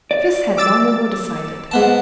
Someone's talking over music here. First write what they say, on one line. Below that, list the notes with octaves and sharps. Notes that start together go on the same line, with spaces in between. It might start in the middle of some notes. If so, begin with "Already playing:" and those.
Chris had long ago decided.
D5
D6 E6 A6
G#2 B3 A5